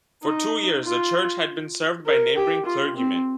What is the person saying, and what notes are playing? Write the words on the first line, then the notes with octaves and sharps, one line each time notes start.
For two years the church had been served by neighboring clergymen.
D#4
F4
A#4
G4
F4
C4